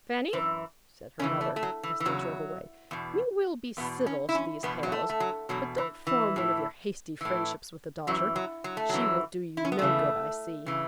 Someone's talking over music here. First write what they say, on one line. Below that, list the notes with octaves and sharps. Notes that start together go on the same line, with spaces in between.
'Fanny!' said her mother, as they drove away, 'we will be civil to these Hales: but don't form one of your hasty friendships with the daughter. She will do you no good, I see.
F#2 E3
E2 C#3 E3 C#4
A3
A3
F#3
E3
E3
E2 C#3 F#3
E2 B2
E2 B2 B3
C#4
E4
C#4
E2 B2 B3
F#3
A3
A3
F#3
E2 B2 F#3
E3
E3
A2 E3
A2 E3
F#2 E3 F#3
F#3
F#3
A3
F#2 E3 F#3
E4
C#4
B3
E2 C#3 E3 A3
C#3 E3